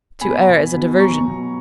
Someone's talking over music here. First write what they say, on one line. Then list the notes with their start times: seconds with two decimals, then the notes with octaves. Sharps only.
To err is a diversion.
0.21 B2 G#5 B5
0.47 B2
0.74 B2
0.99 F#3 A#5 C#6
1.25 B2